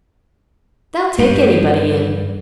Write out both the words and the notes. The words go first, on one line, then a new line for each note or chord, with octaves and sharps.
They'll take anybody in.
G2